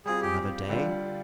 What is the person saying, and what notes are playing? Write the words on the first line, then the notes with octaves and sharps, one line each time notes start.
Another day?
G3 C4 F4 G#4
G4
D3 G3 D4 F4